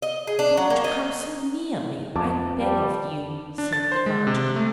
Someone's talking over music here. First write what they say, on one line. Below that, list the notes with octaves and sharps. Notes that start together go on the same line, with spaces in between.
"Don't come so near me, I beg of you!" said the garter.
D#5
G#4
D4
F#3
A#3
D#5
F2 A5 D6
G3
D4
A6
C5
G#3
C3
A3